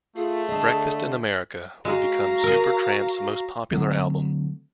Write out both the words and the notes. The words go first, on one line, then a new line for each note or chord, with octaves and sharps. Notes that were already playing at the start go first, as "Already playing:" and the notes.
"Breakfast in America" would become Supertramp's most popular album.
A3 F4 G#4
D3 D#5 E5 A5
G#3 F#4 F5 A#5
G#4 A#4
D3 F#3 A3 C4